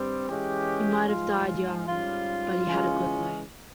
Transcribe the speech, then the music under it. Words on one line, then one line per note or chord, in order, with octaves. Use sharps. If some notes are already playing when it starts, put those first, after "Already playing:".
He might have died young, but he had a good life.
Already playing: G2 G3 C4
E3 G#3 C#4 G4
G#2 F3 G#3 F4
F4
G#2 G3 C#4 F4
C#3 E3 G#3 C#4